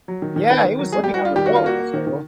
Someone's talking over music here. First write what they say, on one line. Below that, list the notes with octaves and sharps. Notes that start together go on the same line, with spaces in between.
Yeah, he was living on the boat, so.
F#3
D#3
D#3
D#3 B4
D#3
F#3
G3 G#4
G4
G3
F#4
G3 F4
D#3 G4
G3 F#4
F4
A#3 F#4
A#3
D#3
D#3